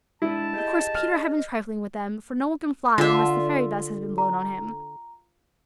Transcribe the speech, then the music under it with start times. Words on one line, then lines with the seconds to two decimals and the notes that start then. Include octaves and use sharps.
Of course Peter had been trifling with them, for no one can fly unless the fairy dust has been blown on him.
0.22 G#3 D4 E4 B4 A5
0.54 G4 G#4 D#5 G5
0.95 F6
2.98 D3 F4 E5
4.18 A#5